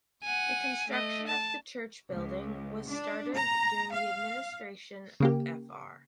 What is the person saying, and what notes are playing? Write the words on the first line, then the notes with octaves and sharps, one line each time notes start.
The construction of the church building was started during the administration of Fr.
F#5 G#5
A3 D#5
A5
C#2
D4
A#5
F5
C#3 A#3 G4